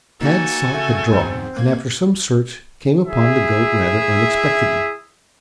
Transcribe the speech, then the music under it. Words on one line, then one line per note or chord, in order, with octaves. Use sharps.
Tad sought the draw and after some search came upon the goat rather unexpectedly.
A#3 D#4 F#4 A4 G#5
C#3 A3
E2 G#2 C4
A#3 G#6
E4 G#4 E5